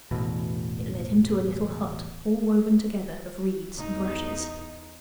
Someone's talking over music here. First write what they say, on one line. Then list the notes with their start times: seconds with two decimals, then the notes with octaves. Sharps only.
It led him to a little hut all woven together of reeds and rushes.
0.11 A1 E2 B2
3.79 E2 D#4